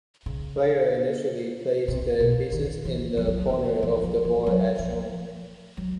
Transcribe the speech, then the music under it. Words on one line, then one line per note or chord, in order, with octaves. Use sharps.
Players initially place their pieces in the corners of the board as shown.
C#3
C3
B2
D#3
E3
F3
F#3
F3
E3
F3
F3
F3
F#3
F3
F#3